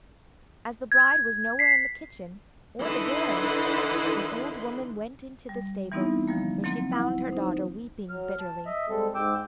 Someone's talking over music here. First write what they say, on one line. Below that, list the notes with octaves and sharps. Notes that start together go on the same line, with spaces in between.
As the bride was nowhere in the kitchen or the dairy, the old woman went into the stable, where she found her daughter weeping bitterly.
G#6
B6 C7
D3 E3 D#4 E4 B4 C6
G3
E3 G3 B3 C4 D#4 E4
D3 F3 G3 A#3
F#3 A#3 C4
D2 E4 F#5
D#4 C5
F#3 F6
A5
D#5 E5
G3 G#3 C4 A4
G#2 G#3 G5 D6 E6